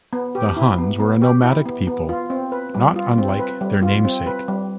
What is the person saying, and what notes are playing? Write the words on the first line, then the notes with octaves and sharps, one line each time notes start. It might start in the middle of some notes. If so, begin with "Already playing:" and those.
The Huns were a nomadic people, not unlike their namesake.
B3
G4
E4
B3
B3
G4
E4
B3
B3
F4
C4
B4
G3
F4
C4
B4
G3
F4
C4
B4
G3